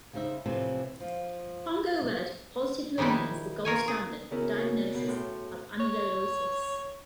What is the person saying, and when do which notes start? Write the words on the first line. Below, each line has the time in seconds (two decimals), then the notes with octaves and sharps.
Congo Red positivity remains the gold standard for diagnosis of amyloidosis.
0.13 C#3 G3 D#4 C5 E5
0.46 A2 C3 E3 F3
1.00 F3 F4
2.98 D#3 G3 G#3 D#4 E4
3.65 F4 A#4 C#5 G#5
3.88 G#4
4.31 C#3 B3 C#4 E4 F#4 A#4
4.58 F#4
4.95 B2 F#5
5.08 A2 F#4 G5 C6
5.80 C#5